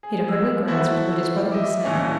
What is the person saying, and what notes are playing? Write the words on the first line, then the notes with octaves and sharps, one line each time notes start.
He had hardly grasped what his brother was saying.
G#4
E6
E4 F#4 A4 C5 E5
D#5 E5 D6
D1 A#2 E3 C#4 G#5